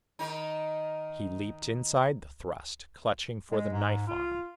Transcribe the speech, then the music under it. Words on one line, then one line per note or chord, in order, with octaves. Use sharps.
He leaped inside the thrust, clutching for the knife arm.
D#3 D#4
G#3
G#2
F4